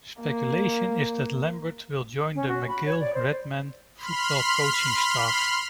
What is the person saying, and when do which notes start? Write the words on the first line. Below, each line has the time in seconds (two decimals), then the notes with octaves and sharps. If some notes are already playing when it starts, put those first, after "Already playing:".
Speculation is that Lambert will join the McGill Redmen Football coaching staff.
0.21 A#3
2.35 C#4
2.48 F#4
2.68 B5
2.86 C#5
3.00 D5
3.14 C5
3.97 B5 C6 F6